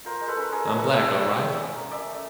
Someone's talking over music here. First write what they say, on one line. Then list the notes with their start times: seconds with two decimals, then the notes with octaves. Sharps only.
I'm black all right.
0.05 F4 A#4 C5
0.21 G#3
0.28 A4 B4
0.36 C#4
0.52 C#4 G#4 A#4
0.67 G#3
0.75 A4 B4
0.83 E4
0.98 G3 D5 E5
1.14 C4
1.29 G3
1.44 C#4
1.60 C#4
1.75 A#3
1.91 C#4 D5 E5
2.07 A3